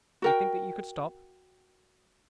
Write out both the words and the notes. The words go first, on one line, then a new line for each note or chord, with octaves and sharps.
You think that you could stop?
F#4 A#4 G5